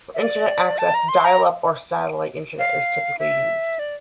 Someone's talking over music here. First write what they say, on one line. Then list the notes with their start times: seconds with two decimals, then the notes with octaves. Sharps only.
For Internet access, dial-up or satellite Internet is typically used.
0.14 E5
0.19 D5
0.78 A5
0.94 A#5
1.09 C6
1.25 A#5
2.59 F5
3.19 E5
3.79 D5